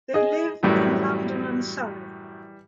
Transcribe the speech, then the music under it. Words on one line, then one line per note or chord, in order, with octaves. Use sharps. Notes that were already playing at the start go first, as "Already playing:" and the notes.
They live in London and Surrey.
G#4 D#5
F#2 A2 E3 F#3 G3